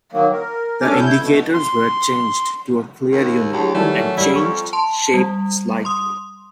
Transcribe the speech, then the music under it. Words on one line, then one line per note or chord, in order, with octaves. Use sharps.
The indicators were changed to a clear unit, and changed shape slightly.
D#3 F#3 A#3
A#4
C#4 D4 A4 G#5 D6 F6
E4 G6
B2 A3
C6
D#2
D2 F#3 E4 G4 G#4
D#3 E3 F#3 G3 A3 E4
F#2 G3 E4
F2 C#6
A5 C6
G3
C6 D#6